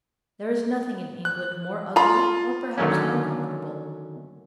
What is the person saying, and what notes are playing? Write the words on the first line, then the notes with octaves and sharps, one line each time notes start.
There is nothing in England more ugly or perhaps more comfortable.
F#6
F4 A#5 B5
D3 D#3 F#3 A3 C#4